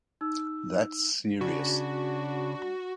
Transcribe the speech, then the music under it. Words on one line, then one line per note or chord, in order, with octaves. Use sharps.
That’s serious.
D#4 E6
C#3 D4 F#4